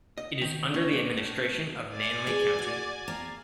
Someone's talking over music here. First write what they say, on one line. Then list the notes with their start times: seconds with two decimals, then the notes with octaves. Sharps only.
It is under the administration of Nanle County.
0.18 D#5
0.42 D#3
0.74 C#4
0.93 D4
1.17 A2
1.93 D5 G#5
2.27 G#4
2.59 F#4
3.08 A#3